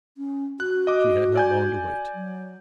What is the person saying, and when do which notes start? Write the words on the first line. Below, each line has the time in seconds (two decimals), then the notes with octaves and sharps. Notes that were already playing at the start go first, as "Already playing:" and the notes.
She had not long to wait.
0.18 C#4
0.60 F#4 F#6
0.87 D#5 D6
1.36 D5 G#5 G6
2.15 F#3